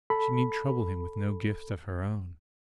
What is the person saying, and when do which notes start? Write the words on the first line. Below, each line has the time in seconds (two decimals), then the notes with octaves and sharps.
She need trouble him with no gift of her own.
0.10 A4 B5